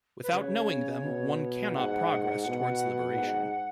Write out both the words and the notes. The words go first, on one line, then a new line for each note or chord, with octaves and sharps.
Without knowing them one cannot progress towards liberation.
B4
C#3 C#5
B2
G#2 F#5
B2
G#2